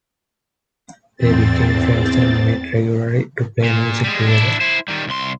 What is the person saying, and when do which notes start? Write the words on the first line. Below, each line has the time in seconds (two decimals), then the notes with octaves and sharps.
They became friends and met regularly to play music together.
1.16 E2 C4 A6
3.64 A#2
4.04 G3 G#3
4.28 D4 E4
4.61 E4 C5
4.88 D#3 G3
5.07 C2 C6